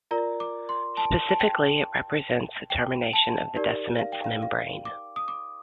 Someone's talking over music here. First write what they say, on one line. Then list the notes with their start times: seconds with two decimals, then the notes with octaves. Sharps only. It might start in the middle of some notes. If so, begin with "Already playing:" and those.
Specifically, it represents the termination of Descemet's membrane.
0.11 F4 A#4 D5 A#5
0.40 D6
0.69 C6
0.97 A5
1.29 A5
1.40 G5
2.70 G5
3.13 A5
3.56 D#4 G4 A#4 D5
3.99 F5
4.12 G5
4.24 F5
4.42 F5
4.85 D6
5.16 D#6
5.28 D6